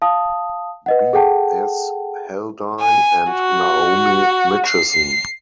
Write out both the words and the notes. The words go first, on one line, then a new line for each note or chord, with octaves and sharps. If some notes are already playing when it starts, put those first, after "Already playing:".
B. S. Haldane and Naomi Mitchison.
F5 A5 D#6
B4 D#5 F#5
G#4 A4 F#5 G5 A5
G#5
F#4
C7